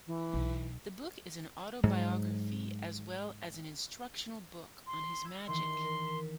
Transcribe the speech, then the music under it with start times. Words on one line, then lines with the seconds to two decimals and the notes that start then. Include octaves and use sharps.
The book is an autobiography as well as an instructional book on his magic.
0.07 E3
0.34 B1
1.83 G#2 F#3
4.87 C6
5.24 B5 E6 G#6
5.48 D#3 E3 C6
5.83 A#4
6.05 B6 E7